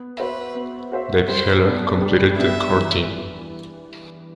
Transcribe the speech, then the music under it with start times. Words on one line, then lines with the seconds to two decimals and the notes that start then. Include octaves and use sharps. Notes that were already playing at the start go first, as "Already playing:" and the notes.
Dave Heller completed the core team.
Already playing: B3
0.17 F#4 B4 C5 E5
0.55 B3
0.92 F#4 C5 E5
1.28 G3 C5
1.64 B3 D4
2.01 G3
2.38 B3 D4 E5
2.75 E3